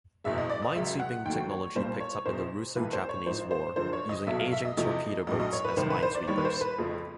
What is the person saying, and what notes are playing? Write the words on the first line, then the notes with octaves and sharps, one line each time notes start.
Minesweeping technology picked up in the Russo-Japanese War, using aging torpedo boats as minesweepers.
F#1 E2 B2 G#3 E5
D#5
D5
D#5
C#2 C#3 F#3 E5
F#5
D#2 D#3 F#3 A3 G5
C#5
B1 A#2 G3 C5
C#5
E2 B2 G#3 C5
B1 A2 E3 A3 B4
C5
C#5
A1 G#2 F3 C5
C5
F#2 D3 F3 G#3 C5
C#5
D#5
B1 B2 F#3 A3 E5
F5
E5
D#5
E2 C3 F3 A3 D#5
A#1 A2 F#3 D#5
D#5
C#5
B4
C2 C3 D#3 C5
B4
C5
D5
D#2 D#3 G3 C#5
B4
C5
B4
F2 C#3 F3 A3